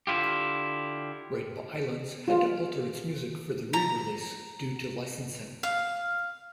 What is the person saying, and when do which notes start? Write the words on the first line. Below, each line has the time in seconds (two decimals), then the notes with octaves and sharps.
"Rainbow Islands" had to alter its music for the re-release due to licensing.
0.07 D3 E4 F4 G4
2.28 F4
3.73 A#5
5.63 F5